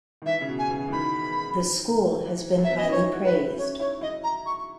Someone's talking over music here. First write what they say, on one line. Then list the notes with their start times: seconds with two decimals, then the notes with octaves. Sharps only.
The school has been highly praised.
0.22 D#3
0.26 E3 E5
0.41 C#3
0.48 B2
0.59 G#5
0.71 C#3
0.88 E3
0.92 D#3 B5
2.25 E3
2.58 F#3
2.64 E5
2.71 B3
2.77 C#4 D#5
2.91 D#4 C#5
3.03 E4
3.13 F#4
3.24 B4
3.35 E4
3.58 C#4 C#5
3.80 E4 C#5
4.01 E4 D#5
4.24 A#5
4.46 C#6